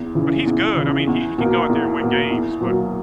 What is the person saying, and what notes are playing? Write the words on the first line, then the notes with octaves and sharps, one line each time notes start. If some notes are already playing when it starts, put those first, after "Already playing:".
but he's good. I mean, he he can go out there and win games, but
Already playing: E2
C#3 E3
E2
C#3 E3
E2
B2 A#3
E2
B2 A#3
E2
B2 F#3 A#3